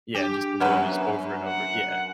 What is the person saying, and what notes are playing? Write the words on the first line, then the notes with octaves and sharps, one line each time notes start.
Yeah, and just to lose over and over, yeah.
D4 G4
F#2 F#3 B3 C#4 B4
F#5